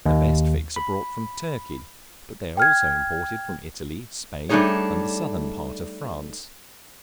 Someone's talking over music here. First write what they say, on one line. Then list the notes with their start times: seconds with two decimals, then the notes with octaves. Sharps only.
The best figs are brought from Turkey, but they are also imported from Italy, Spain, and the southern part of France.
0.06 D#2
0.76 B5
2.57 G5 F6 G#6
4.49 G3 A3 D4 D#4 G#4 C#5